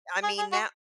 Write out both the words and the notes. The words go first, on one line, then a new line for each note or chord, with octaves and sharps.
I mean that
G#4
G#4
F#4